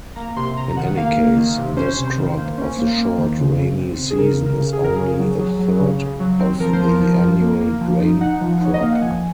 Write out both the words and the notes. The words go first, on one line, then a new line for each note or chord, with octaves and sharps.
In any case, this crop of the short rainy season is only a third of the annual grain crop.
A#3 A#5
C3 C6
C3 A#5
D#3 F#5
A#3 F5
A#3
D#3
C3
C#4 C5
C3
D#3
A#3
C#4
A#3
A#3
D#3
C#3
C#3
C4
C#3
G#4
C#3 A#4
C#3
A#4
C#3
G#4
C#3
A#4
C#3 G#4
F#3
F#3
F#3
C#3
C#3
F#3
C4
F3 A#4
C5
F3
A#4
F3
F3
A#3
A#3
F3
D#4
D#4 F#5
F3
D#4 C#5
D#5
A#3 F5
F#5
F3 G#5